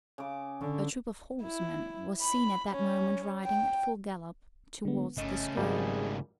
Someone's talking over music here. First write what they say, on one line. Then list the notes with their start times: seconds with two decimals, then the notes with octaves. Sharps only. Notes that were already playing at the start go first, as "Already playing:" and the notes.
A troop of horsemen was seen at that moment riding at full gallop towards the square.
0.18 C#3 D6
0.61 D3 C#4
1.43 E4
2.21 B5
2.71 C#4
3.45 G5
4.85 D3 G#3 B3
5.17 G1 C#3 A3 C#4 D#5
5.57 G#1 G#2 F#3 G3 G#4